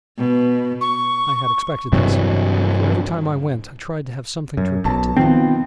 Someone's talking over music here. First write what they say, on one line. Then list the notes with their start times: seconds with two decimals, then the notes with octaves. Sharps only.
I had expected this; for, every time I went, I tried to have something to repeat to them.
0.18 B2
0.81 C#6
1.93 G2 C3 E3 F#3
4.57 F#2
4.85 B1 A5
5.17 D#3 F3 B3 C4